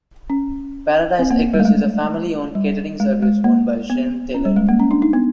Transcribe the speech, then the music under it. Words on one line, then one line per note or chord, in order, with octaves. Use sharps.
Paradise Acres is a family owned catering service owned by Shane Taylor.
C#4
C4
A#3
G3
A3
G#3
G3
G#3
G#3
A#3
B3
C#4
G3
G#3
A#3
C#4
D4
D#4
B3